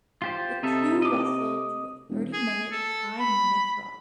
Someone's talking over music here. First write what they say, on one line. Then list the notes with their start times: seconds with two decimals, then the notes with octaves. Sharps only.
The two wrestled to a thirty-minute time limit draw.
0.22 F4 G4 C5
0.63 C3 D#4 A4 E5
1.02 D#5 D6
2.10 E1
2.33 G#4
2.72 A4
3.19 B5